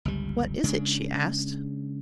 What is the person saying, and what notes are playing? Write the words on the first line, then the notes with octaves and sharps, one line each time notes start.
"What is it?" she asked.
G1 C#2 G3
C#3 G#3 D4